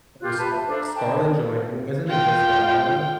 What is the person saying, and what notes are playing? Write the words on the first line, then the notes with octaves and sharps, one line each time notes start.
Oh, was, uh, Scarlet Joha wh isn't it Jessica Alba?
F4 G4 F#6
B4 A5
E5
D4 A4 C5 F5
A#5
G5 A5
F4 G5